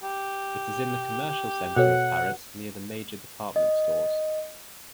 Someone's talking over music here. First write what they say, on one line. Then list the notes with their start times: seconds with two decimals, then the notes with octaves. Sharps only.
It is in the commercial centre of Paris, near the major department stores.
0.03 G4
1.77 B2 F#4 A4 C#5 F#5
3.56 D#5